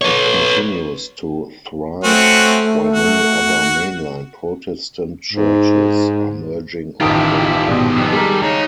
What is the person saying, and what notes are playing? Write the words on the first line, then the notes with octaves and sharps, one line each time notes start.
It continues to thrive while many other mainline Protestant churches are merging or closing.
B4 C#5
A3 C4 C#4 F#4
F#4
G#2
A1 D#3 E4 F4 G4 A4 D#6 D7
A#1 G#2 B2
F2 B3
G3 G#3 A#4
D#4 G#4 C#5